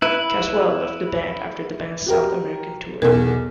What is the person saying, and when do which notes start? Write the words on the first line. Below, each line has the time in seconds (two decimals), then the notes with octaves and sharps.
Casswell left the band after the band's South American tour.
0.02 E4 B4
2.06 F#4 G4 A#4
3.02 B1 E2 A4 A#4